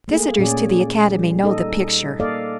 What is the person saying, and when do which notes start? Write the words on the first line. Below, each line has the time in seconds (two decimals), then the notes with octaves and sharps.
Visitors to the Academy know the picture.
0.08 A3 A#3 G#4
0.38 A#2 C#4 G#4 D5
1.11 G3
1.43 D#4 A4 D#5
2.20 A#3 A4 D5 D#5 F5